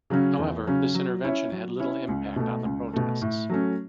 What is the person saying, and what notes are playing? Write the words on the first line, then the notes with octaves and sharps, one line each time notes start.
However, this intervention had little impact on the protests.
C#3 F#3 C#4
E2
C#3 F#3 C#4
F#3
C#4 E4 C#5 E5
F#3
C#4 E4 C#5 E5
C#2
B2 A3
C#2
B2 A3
A2
F#3 A3 C#4